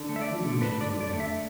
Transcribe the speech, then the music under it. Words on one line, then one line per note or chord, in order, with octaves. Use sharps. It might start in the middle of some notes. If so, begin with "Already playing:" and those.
We know she is within there.
Already playing: D3
A3
E5
D5
D3
A3 B4
D5
D3
D5
A3
E5